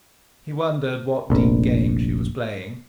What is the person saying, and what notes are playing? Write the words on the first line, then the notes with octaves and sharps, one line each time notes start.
He wondered what deep game she was playing.
F1 A#1